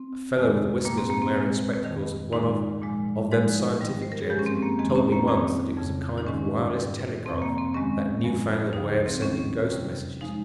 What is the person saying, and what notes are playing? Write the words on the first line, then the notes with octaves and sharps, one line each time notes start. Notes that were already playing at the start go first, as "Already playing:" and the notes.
A fellow with whiskers and wearing spectacles one of--of them scientific gents--told me once that it was a kind of wireless telegraph, that newfangled way of sending ghost messages.
Already playing: C4
F2 C3 D#3 G#3
A#2 G3 A#3
C4
A#3
C4
A#2 G#3
F2 D#3 G3
G#2 D#3 G#3 D#4
A#2 F3 G#3
G#2 F3 G#3 D#4
G#2 D#3 G3
C5
A#4
G#4
G2 F3 G#3 G4
C#4
C4
A#3
F2 D#3 G#3 C4
D#4
C#4
A#3
F2 D#3 G3 C4
F2 C#3 G3
D#4
G#2 D#3 G#3 C#4
G#2 G3
F2 C3 F3 C4
A#3
C4
G2 D#3 G#3 C#4
G2 F3 G#3
D#2 C#3 F3 D#4
C4
D#2 D#3 G3 C#4
F2 C3 G3
F3 G#3 D#4